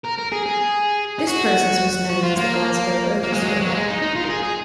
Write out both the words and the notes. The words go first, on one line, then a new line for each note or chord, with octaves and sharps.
This process was known as the "Glasgow overspill".
A#4
A#4
G#4
G#4
G#4
F#4
F#4
F4
A#3
A#3
G#3
F#3
G#3
F#3
A#3
G#3
D#4
D#4
F4
A#4
G#4
G#4